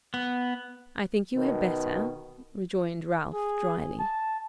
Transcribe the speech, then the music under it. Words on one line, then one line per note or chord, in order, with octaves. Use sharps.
'I think you had better,' rejoined Ralph, drily.
B3
B2 D#3
G#4
A5